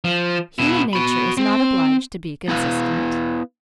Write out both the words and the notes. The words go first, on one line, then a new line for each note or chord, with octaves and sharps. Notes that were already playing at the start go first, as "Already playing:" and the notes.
Human nature is not obliged to be consistent.
F3
B2 E4
F#4 B5
C4
B3 E4 B4 F5